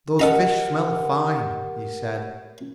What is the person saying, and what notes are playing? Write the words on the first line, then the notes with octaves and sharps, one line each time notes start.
"Those fish smell fine," he said.
G4 A4 A#4 D#5 F#5 A#5